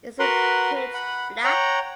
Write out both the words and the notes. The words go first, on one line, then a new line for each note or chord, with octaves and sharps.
Is it pitch black?
F#4 A#4 B4 F#5 C6
B4
F#5 B5
C#5 F#5 G5 A#5